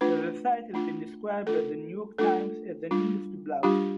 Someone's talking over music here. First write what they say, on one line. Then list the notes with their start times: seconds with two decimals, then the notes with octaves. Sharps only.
The site has been described by "The New York Times" as an industry blog.
0.01 A3 D4 F4 B4
0.74 A3 D4 F4
1.47 A3 D4 F4 A4
2.18 A3 D4 F4 A4
2.91 G3 D4 F4
3.63 G3 D4 F4 G4